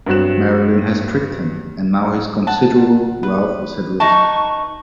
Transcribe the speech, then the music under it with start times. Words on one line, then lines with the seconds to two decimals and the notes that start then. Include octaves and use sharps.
Marylin has tricked him, and now "his" considerable wealth is at risk.
0.06 G2 F#3 C4 F#4 F#6 E7
2.47 F#5 A5
3.23 B4
4.00 D#4 B4 A5 C#6